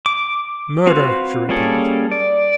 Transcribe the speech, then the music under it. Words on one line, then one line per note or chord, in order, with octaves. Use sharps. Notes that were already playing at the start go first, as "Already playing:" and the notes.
"Murder!" she repeated.
D6
C4 F4 F#4 B4
G3 A#3 C#4 G#4 A4
D5